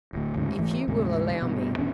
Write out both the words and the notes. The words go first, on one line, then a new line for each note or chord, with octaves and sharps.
If you will allow me.
D1 D2
D2 G#2 C#3
G#1 E3 A3
D2 G#2 C3
G2 B2
D#1 E2 C#4 D4